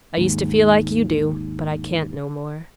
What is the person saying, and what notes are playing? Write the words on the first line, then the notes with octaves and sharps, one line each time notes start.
I used to feel like you do, but I can't no more.
D#2 G#2